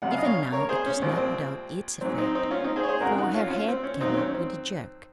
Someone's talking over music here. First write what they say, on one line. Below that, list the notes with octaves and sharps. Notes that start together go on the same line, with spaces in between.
Even now it was not without its effect, for her head came up with a jerk.
C#2 C3 F#3 F#5
F5
D#5
C#5 F5
A#4 C#5
G#4 C5
C#4
C2 A#2 F3 G#3 C4
C4
G#2 F#3 C4
C4 D#4
C4 D#4
C#4 F4
C4 D#4
G#4 C5
C#5
G#4 C5
F2 C#3 G#3 F#4 A#4
D#4 F#4
C#4 F4
C#4 F4
C4
C#4
F2 D#3 F#3 C4 D#4
C4
C#4
C4